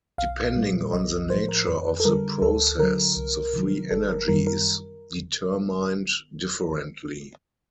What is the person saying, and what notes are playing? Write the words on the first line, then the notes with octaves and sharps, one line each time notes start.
Depending on the nature of the process, the free energy is determined differently.
B1 F5
A#2 G3
B1 D#5
A2 F3 C5
A#4
F2 B4
A4
D3 G3 A#4
D2 A4
D3 F#3 A#4
C2
C3 D#3 F#3
G1 A4
A#4
F#2 D#3 G3 A#4
A#4